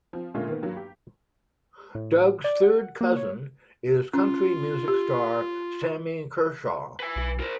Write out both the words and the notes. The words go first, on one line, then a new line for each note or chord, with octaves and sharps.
Doug's third cousin is country music star Sammy Kershaw.
F3 C4
A#2 D3 G#3 A3 C#4 F4
D#3 A#3 B3
G2 F#3 A#3
G4
A2
D5
F#5
A#3
C#5
C#4 F4
G4
B4 G#5
B1
A#4 C5